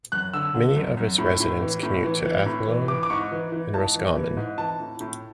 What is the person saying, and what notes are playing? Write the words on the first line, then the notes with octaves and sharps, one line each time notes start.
Many of its residents commute to Athlone and Roscommon.
F#2 F#6
D3 E6
D3
F#2
F#2
A2
A2
E3
A2
E3
E3
A2
E3
E3 D6
D6
G#2 C#6
E3
E3
G#2 A5
E3
E3
G#2
E3 A5
A2
A2